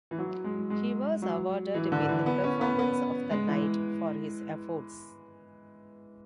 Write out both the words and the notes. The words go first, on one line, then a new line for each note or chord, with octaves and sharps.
He was awarded with "Performance of the Night" for his efforts.
E3
F#3
G#3
G#3
F#3
E3
D3
E3
B3
C#4
B3
B3
G#3
E3